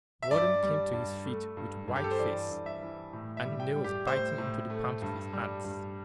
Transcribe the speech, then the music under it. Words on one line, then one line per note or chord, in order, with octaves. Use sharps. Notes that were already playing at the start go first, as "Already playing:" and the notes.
The warden came to his feet with white face, and nails biting into the palms of his hands.
E5
G2 D5
G3
G2
A3
G2
G2
G4
A4
C5
E3 D5
G2
E5
E3
A2
E5
G3
G5
G3
G4
A2 C5
A2
A3
G2
G3
G2